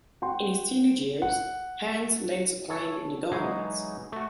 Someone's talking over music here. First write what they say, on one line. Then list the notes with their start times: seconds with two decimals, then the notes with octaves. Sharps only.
In his teenage years, Hans learned to climb in the Dolomites.
0.22 F#4 G5 C6
1.22 F#5
2.69 A4 C#5
3.31 E3 F#3 G#3 D#4 G#4 D#5
4.12 A3 F#4